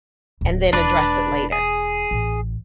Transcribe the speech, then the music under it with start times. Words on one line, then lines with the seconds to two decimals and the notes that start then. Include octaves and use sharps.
and then address it later.
0.41 D1 C#3
0.73 E1 D4 B4 D5
1.52 G#4
2.11 A1